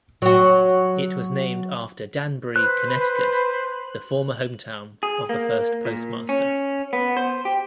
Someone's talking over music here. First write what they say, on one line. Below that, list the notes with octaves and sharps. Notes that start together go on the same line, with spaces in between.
It was named after Danbury, Connecticut, the former hometown of the first postmaster.
F#3 F#4
B4 C5 F#6
G#4
A#3
A#2
C#4
B3
C5
G4